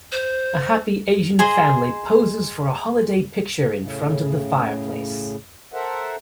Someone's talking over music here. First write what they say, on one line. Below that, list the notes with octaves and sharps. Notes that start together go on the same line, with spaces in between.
A happy Asian family poses for a holiday picture in front of the fireplace.
C5
G#4 C5 D#5 G#5
A2 C#3
A4 A#4 C5 E5 F#5